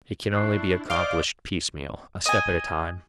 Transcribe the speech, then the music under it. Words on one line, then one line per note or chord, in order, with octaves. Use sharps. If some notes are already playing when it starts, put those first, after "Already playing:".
It can only be accomplished piecemeal, a step at a time.
D4 E4 C#6 F#6 C7
C5 D5 D#5 F5 F6 D7 G7
D#5 G#5